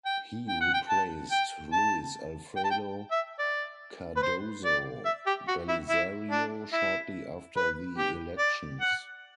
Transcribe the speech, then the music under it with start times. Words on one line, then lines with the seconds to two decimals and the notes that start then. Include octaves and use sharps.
He replaced Luis Alfredo Cardozo Belizario shortly after the elections.
0.05 G5
0.48 G5
0.61 F#5
0.74 G5
0.89 A5
1.31 G5
1.72 A5
2.56 G5
2.64 A5
2.70 G5
3.12 E5
3.39 D5
4.17 B4
4.23 C5
4.65 D5
5.05 E5
5.27 G4
5.48 F#4
5.68 E4
5.89 E4
6.31 D4
6.73 E4
7.56 B4
7.98 G4
8.39 D5
8.81 F#5